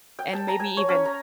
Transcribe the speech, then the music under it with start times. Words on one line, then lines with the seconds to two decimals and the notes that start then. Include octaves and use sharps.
and maybe even
0.19 G5
0.33 A5
0.48 A#5
0.60 G#5
0.77 C#5
0.89 C#4
1.05 A#5